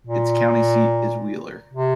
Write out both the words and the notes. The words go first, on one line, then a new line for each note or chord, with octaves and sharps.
Its county seat is Wheeler.
A#2
C3